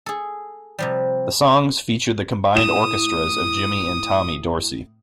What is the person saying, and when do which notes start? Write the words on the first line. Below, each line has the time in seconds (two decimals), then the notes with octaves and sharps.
The songs featured the combined orchestras of Jimmy and Tommy Dorsey.
0.06 G#4 A4
0.79 C3 F3 G3
2.55 A2 D#6 E7